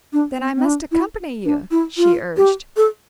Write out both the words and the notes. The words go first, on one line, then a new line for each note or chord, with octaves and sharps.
"Then I must accompany you," she urged.
D4
C4
C4
D4
E4
D4
E4
F4
G4
A4